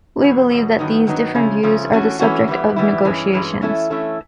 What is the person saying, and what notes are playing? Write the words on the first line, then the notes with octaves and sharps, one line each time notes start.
We believe that these different views are the subject of negotiations.
E2 B2 F#3
E2 B2 F#3
G2 D#3 F#3 B3 D#4
G2 D#3 F#3 B3 D#4
C#3 F3 A3 C#4
C#3 F3 A3 C#4
E3 A3 C#4 F#4
E3 A3 C#4 F#4
E3 G3 B3 E4
E3 G3 B3 E4
G2 E3 G#3 C#4
G2 E3 G#3 C#4
E3 A3 C#4 E4 A4
E3 A3 C#4 E4 A4